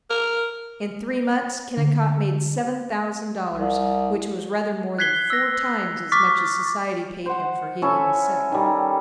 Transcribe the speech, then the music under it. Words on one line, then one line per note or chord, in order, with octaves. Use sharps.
In three months Kennicott made seven thousand dollars, which was rather more than four times as much as society paid him for healing the sick.
A#4
D3
C2
F#6 G#6 B6 C7 G7
E6 A#6
C#6 D6 F6 A6 B6
C5 F#5
C#4 E4 A4 E5
D#3 G3